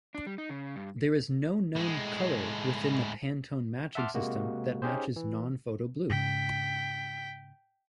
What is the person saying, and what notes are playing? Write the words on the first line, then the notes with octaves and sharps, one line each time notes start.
There is no known colour within the Pantone Matching System that matches non-photo blue.
D4
G3
D#4
C#3
G2
A2 G#3
E5 F#5 A5 C6 D6 F6
C3 G#3 A#3 F#4
C#4 D#4 G4 G#4 C5
E3
G#2 C#3 G5 B6